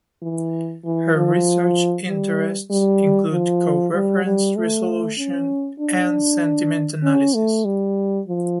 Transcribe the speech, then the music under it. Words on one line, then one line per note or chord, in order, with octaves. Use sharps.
Her research interests include coreference resolution and sentiment analysis.
E3
E3
F3
G3
G3
F3
G3
G3
A3
C#4
D4
C#4
A3
G3
F3